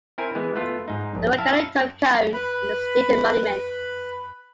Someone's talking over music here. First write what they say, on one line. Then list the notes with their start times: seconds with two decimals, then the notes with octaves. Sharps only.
The volcanic tuff cone is a State Monument.
0.18 C4 E4 A#4 G#5
0.35 E3 G#3 B3
0.55 A3 B3 F4
0.88 G#2 D#4
1.15 A#1
1.38 E4 E5 F5 A5
2.34 B4 B5